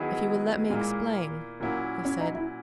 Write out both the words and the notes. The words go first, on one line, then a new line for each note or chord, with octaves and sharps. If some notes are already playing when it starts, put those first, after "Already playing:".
"If you will let me explain," he said.
Already playing: D#3 F#3 B3 E4 G#4
A#2 G#3 A#3 E4
A#2 F#3 A#3 C#4 E4
C#4
D#4
E4